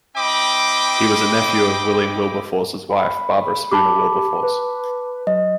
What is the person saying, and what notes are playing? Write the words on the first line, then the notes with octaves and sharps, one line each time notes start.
He was a nephew of William Wilberforce's wife, Barbara Spooner Wilberforce.
C4 E4 D#5 G5 B5 D6
B5
G4 A5 B5 D6
B4
F#3 D#5